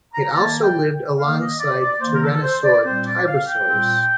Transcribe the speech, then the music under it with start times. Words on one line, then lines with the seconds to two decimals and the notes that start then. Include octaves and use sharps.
It also lived alongside the tyrannosaur "Tarbosaurus".
0.13 A#5
0.34 D#3 A#3 A5
0.62 G5
1.17 D#3 A#3 F5
1.33 D5
1.39 D#5
1.59 D5
1.80 D5
2.01 D#3 A#3 C5
2.14 A#4
2.22 A4
2.42 C5
2.63 D5
2.84 A#2 G3 C4 C5
3.04 D5
3.26 F5
3.45 G5
3.67 A#2 G3 C4